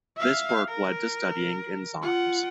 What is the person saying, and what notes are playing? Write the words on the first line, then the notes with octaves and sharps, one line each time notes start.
This work led to studying enzymes.
E5 F5
A#4
F4 F#5